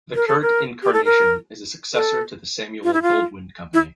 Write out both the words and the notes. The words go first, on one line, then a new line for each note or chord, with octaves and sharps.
The current incarnation is a successor to The Samuel Goldwyn Company.
A#4
A4
A#4
G4
A4
A#4
A4
F4
E4
F4
E4